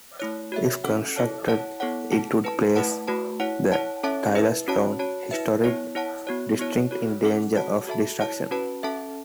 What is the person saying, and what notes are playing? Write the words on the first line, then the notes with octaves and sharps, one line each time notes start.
If constructed, it would place the Taylorstown Historic District in danger of destruction.
A3 E4 C#5
F#4 C#5 E5
C#4 A4 F#5
E4 A4 C#5 A5
E4 C#5 F#5 A5
B3 E4 A4 C#5 F#5
E4 A4 F#5 A5
E4 B4 A5
A3 E4 B4 F#5 A5
A3 F#4 B4 A5
E4 C#5 F#5
E4 C#5 F#5 A5
C#4 A4 C#5 E5 A5
E4 B4 E5
C#4 F#4 C#5 A5
F#4 C#5 A5
E4 B4 E5
B3 E4 C#5
E4 C#5 F#5 A5
B3 F#4 C#5
B3 E4 C#5
F#4 A4 C#5
C#4 E4 A4 F#5
F#4 C#5 F#5 A5
F#4 A4 E5 A5
E4 C#5 A5
C#4 F#4 B4 A5
C#4 A4 E5 A5